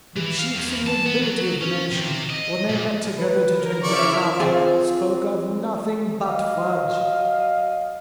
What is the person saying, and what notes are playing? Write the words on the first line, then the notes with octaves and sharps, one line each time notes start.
The chiefs and nobility of the nation, when they met together to drink their kava, spoke of nothing but fudge.
E3
F5
E2
A5
B3
F#3
C#4
C3
D#5
A#2
B4
A#4
C#3 E4 D5 E5 C#6 F6
C4 F4 G#4
F#3 D#5 F5